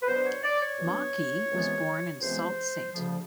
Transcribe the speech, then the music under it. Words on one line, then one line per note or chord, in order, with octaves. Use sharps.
Maki was born in Sault Ste.
B4
B2 F#3 B3 D4 C5
C#5
D5
C#5
B2 F#3 B3 D4
C#2 C3 E3 G#3 B3
C#2 C3 E3 G#3 B3 C5
D2 C#3 F3